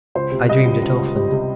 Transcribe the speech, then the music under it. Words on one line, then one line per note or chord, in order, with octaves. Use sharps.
I dreamed it often.
C#2 C5
C3
G3 D#5
C#2
C#2
C#2
G3
C3